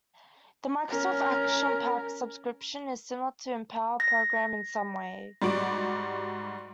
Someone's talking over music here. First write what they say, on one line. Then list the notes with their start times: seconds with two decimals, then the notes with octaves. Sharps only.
The Microsoft Action Pack Subscription is similar to the Empower Program in some ways.
0.89 C#4 A#4
4.00 A#6
5.42 G#2 G3 F#4 D5 D7